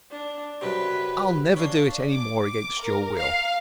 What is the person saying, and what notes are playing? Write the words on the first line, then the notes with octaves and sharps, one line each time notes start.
I'll never do it any more against your will.
D4
F#2 C3 B4
C#4 D4 F5
D6
D6
A#4
F5